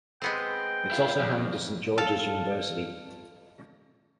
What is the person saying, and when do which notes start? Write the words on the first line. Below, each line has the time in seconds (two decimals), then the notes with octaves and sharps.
It is also home to Saint George's University.
0.22 G#3 B3 C4 G5
0.92 E4 F4
1.19 F2
1.98 A4 F5 A5